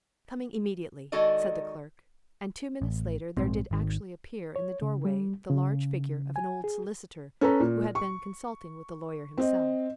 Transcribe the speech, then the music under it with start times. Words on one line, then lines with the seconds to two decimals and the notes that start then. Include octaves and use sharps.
"Coming immediately," said the clerk; and two minutes later there did actually appear in the doorway the large figure of an old solicitor who had been consulting with the lawyer himself.
1.12 D#3 G#3 F#4 A4 D5 D#5
2.82 A1
3.37 A#1 G#2 G#3 C4
3.71 G#1 D#3
4.56 C#5
4.82 C#3
5.05 G3
5.50 C#3
6.36 G#5
6.64 G#4
7.41 C#4 A4 B4 A#5
7.60 A#2
7.95 C#6
9.38 C4 D#5